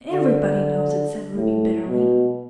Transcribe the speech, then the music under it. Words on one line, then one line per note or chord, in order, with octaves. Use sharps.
"Everybody knows it," said Ruby bitterly.
D3
A2
B2